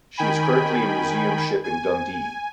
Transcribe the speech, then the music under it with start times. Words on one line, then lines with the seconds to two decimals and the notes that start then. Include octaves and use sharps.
She is currently a museum ship in Dundee.
0.17 D#3 G5 G#5 B5
1.64 G#5